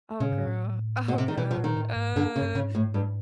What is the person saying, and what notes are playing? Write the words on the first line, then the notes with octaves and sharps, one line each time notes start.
Oh, girl. Oh, god. Uh.
A#2 C#3
G#2
A2
B2
C3
D#3
B2 E3
F3
A#2
D#3
A2
G#2
G2 D3
C#3
G2
G#2 C#3
A2
G2